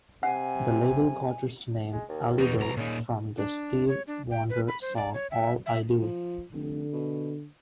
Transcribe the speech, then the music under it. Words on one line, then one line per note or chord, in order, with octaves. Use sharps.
The label got its name "Allido" from the Stevie Wonder song "All I Do".
C3 F#5 G#5
G#3
D#2
E2 B2 D#4
C2 A#5
A#2 C#3 D#4
D4
C#5
D4
G5
B4
B5
C5
D5
C#5
E5
E5
F3
F1 D3
B2